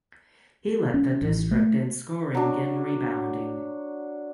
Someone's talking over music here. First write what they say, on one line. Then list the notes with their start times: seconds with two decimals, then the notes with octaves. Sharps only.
He led the district in scoring and rebounding.
0.94 C#4
1.22 A1
1.51 A3
2.35 F#3 D4